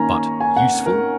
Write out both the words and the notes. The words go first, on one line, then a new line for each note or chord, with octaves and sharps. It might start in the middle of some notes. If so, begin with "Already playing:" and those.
But, USEFUL?
Already playing: D#3 A#3 C#4 G#5 A#5
G#5
F#5
A#4